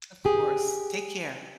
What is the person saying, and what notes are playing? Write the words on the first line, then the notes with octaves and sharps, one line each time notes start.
Of course. Take care.
G4 G#4